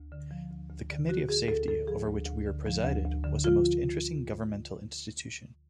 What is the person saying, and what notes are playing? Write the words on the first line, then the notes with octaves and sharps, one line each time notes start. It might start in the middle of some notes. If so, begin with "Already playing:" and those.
The Committee of Safety, over which Weare presided, was a most interesting governmental institution.
Already playing: D2
D3
F3
D2
D2
D3
F3 F#4
D2 G#4
D2 A4
D3 A4
F3 G#4
D2
D2
D3
F3
D2
D2
D3
F3 F4